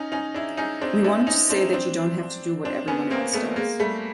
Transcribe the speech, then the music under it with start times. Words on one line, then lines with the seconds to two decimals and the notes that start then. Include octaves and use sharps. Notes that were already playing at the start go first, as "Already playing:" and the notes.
We wanted to say that you don't have to do what everyone else does.
Already playing: C#4 D#4
0.12 C#4 D#4
0.34 D4 E4
0.57 C#4 D#4
0.81 C4 D4
1.04 D4 E4
1.26 C#4 D#4
1.50 C4 D4
1.73 C4 D4
2.65 C4 D4
2.88 B3 C#4
3.10 A#3 C4
3.33 A3 B3
3.56 G#3 A#3
3.80 G3 A3